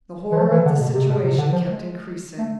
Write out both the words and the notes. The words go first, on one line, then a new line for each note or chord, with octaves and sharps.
The horror of the situation kept increasing.
E3
F3
E3
D3
B2
C3
B2
C3
D3
F3
G#3
A3